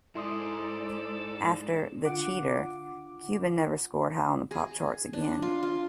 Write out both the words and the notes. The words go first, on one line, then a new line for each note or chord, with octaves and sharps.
After "The Cheater," Kuban never scored high on the pop charts again.
G#2 E4 A4 D5 C6 D#6
D3 F4 F#5 D6
G#4
D4
F4
F4